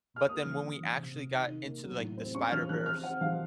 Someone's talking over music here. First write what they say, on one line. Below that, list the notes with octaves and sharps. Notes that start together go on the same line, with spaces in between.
but then when we actually got into, like, the Spider-Verse,
F6
A#3 D#6
F3
C#4
F3
C3
C3
D#3
D#3
A#3
F#3
A2
C4
C#4 C#6
F3 F6
F3 F#6
C4 F6
C4 F#5
F3 F5